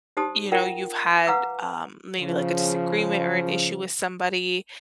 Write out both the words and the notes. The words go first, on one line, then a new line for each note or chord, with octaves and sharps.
you know, you've had, um, maybe like a disagreement or an issue with somebody
D#4 G4 C5 A5 D#6
F4 A#4 E5 F#5 G5
B4 F5 F#5 A#5 D6 E6
C#3 F3